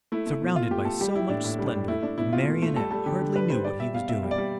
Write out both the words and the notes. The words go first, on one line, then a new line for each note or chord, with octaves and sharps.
Surrounded by so much splendor, the Marionette hardly knew what he was doing.
A3 E4
A3
B2
B2 F4
A3 G4
A3 A4
G3 G4
G3 E4
A2 D4
A2 E4
G3
D4
G3
A3 E4
A3 D4
B2 E4
B2 F4
A3
A3
G3 A4
G3 A4
D3 G4
D3
G3 B4
G3 C5
G3 D5
G3 E5
B2 F5
B2 E5
G3
D5
G3